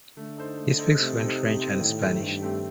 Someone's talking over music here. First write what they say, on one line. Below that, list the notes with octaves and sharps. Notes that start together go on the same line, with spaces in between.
He speaks fluent French and Spanish.
D3 A3
D#4 A4 C5
A3
D#4 A4 C5
C3 A3
D#4 A4 C5
A3
D#4 A4 C5
A2 D#3
A3 C4 G4
G2 D#3
A3 C4 G4